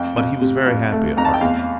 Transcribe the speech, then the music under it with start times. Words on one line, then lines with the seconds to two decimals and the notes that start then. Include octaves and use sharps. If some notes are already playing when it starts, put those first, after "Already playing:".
But he was very happy at heart.
Already playing: F2 G5
0.16 F2
0.41 C3
0.66 F2
0.92 A3
1.17 F2 A#5
1.25 A5
1.34 G5
1.41 E2 F5